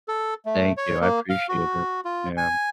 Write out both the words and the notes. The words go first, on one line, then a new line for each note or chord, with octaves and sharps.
Thank you, I appreciate it. Yeah.
A4
A3
C#5
A#3
F5
F#4
F4
G#5